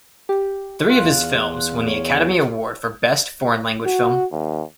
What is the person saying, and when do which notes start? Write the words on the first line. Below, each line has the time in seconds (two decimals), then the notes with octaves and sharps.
Three of his films won the Academy Award for Best Foreign Language Film.
0.29 G4
0.90 E2 F4 F#6
1.88 C#5
3.86 F#4
4.32 D#2